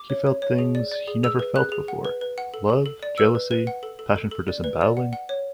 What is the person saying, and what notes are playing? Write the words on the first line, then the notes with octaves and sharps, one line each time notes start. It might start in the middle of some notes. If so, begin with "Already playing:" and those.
He felt things he never felt before: "love, jealousy, passion for disemboweling".
Already playing: D6
C#5
C#5
C#5
G#4
D5
D5
G#4
G#4 E6
B4
G#4 F#6
G#4
F#5
B4
B4
F#5
A4
A4
A4
D5
B4 E6
B4
B4
F#5
A4
A4
A4
A4
D5
B4
D5
F#5
F#5
C#5